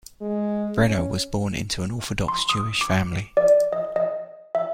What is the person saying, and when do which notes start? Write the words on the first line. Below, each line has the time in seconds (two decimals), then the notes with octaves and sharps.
Brenner was born into an Orthodox Jewish family.
0.21 G#3
0.77 C#4
2.28 C6
2.49 D#6
2.81 D6
3.37 D5
3.73 D#5
3.96 D#5
4.55 E5